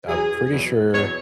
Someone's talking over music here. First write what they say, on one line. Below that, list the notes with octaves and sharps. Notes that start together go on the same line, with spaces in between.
I'm pretty sure
E2 B2 F#3 G#4
E2 B2 F#3
E2 B2 F#3 C#5